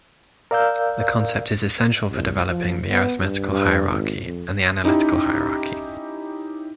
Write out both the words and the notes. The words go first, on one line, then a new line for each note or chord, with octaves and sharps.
The concept is essential for developing the arithmetical hierarchy and the analytical hierarchy.
A#4 D5 F5 E6 G6
C2
F3
B3
G2
G2
G#1
F2
C#4 D#4 E4 G4